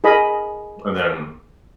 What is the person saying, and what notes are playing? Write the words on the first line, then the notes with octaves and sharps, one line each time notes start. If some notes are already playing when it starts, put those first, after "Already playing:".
And then
G#4 A#4 D#5 B5